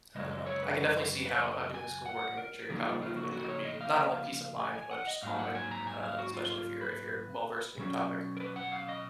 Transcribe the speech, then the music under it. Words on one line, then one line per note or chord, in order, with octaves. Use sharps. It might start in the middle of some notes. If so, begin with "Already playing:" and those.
uh, I can definitely see how how doing schoolwork and making sure you're caught up on everything can be, not only peace of mind, but just calming, uh, especially if you're if you're well-versed in your topic.
F#2 C#3 G#3 D#5
D#5
C#5
B4
B4
C#5
D#5
G#5
F#5
A#4
C#3 F3 A#3 D#4 G#4
F4
F4
F#4
F#4
D#5
C#5
D#5
F5
G#5
G#5
F#5
D#5
G#2 F#3 A#3 D#4 F5
F#5
G#5
A#5
G#5
F5
F#4
F4
F4
B4
B2 F#3 C#4
A#4
B4
F#5
F5
D#5